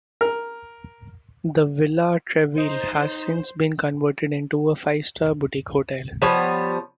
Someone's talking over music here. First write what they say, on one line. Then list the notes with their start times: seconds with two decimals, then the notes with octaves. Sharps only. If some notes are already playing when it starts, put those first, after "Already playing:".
The Villa Treville has since been converted into a five-star boutique hotel.
0.21 A#4
2.58 D#4 C5
6.22 F3 G3 B3 C#5